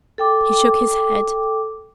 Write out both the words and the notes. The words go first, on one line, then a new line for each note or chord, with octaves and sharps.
He shook his head.
A4 G5 D6